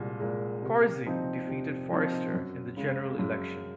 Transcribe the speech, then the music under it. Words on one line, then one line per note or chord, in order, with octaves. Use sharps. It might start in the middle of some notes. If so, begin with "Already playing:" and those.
Corzine defeated Forrester in the general election.
Already playing: C2 A#2 G#3
A#2 G#3
C3
F3 C4 D#4
C3
F3 C4 D#4
F#2
C#3 G#3
F#2